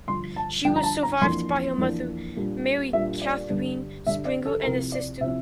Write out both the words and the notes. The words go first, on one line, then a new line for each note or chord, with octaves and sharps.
She was survived by her mother, Mary Cathryn Springer, and a sister.
G2 D3 F3 C6
A5
G2 D3 F3 G5
A#5
A5
A#5
F2 E3 A#3 D4 C6
F2 E3 A#3 D4
A#2 G3 D4
A#2 G3 D4 E5
D5
G2 D3 G3 D4
G2 D3 G3 D4 E5
D5
A4
C3 F3 C4 E4 A#4
D5
C3 F3 C4 E4 E5